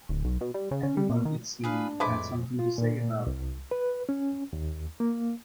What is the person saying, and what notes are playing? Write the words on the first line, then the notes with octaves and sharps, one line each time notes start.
Everyone, it seemed, had something to say about it.
D1
B1
B2
G3
C#3
C#4
G3
A#2
D#3
D4 G#4 B4 F5
F2 A2 G#3 E4 B4 C5 D5 D6
F4
A#2
C2
B4
C#4
D#2
A#3